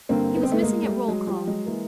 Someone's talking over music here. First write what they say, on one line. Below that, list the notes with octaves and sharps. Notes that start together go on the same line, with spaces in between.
He was missing at roll-call.
G2 D3 A#3 C4
B3
C4
A3 B3
G#3 A#3
G#3
G3 A3
F#3 G#3
F3 G3
F#3 G#3
E3 G#3 A#3